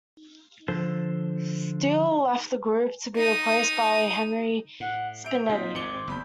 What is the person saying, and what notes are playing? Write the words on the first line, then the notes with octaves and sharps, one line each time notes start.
Steele left the group, to be replaced by Henry Spinetti.
D3 F3 A4 C5
D#4 D#6
A2 F#5
E5 G6 D7 F7
A#2 C4 D#4 F4 B6
G#1 G#2 D#3 D6 C#7 G7
C4
F#1 E2 B5 G6